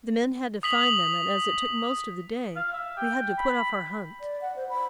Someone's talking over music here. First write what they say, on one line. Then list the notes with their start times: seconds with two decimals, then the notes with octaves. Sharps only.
The men had to find them, and as it took most of the day, we had to put off our hunt.
0.63 D#6 B6 F#7
2.56 F5
2.73 E5
2.97 G5
3.38 B5
4.21 D5
4.41 F#5
4.56 C5
4.69 B5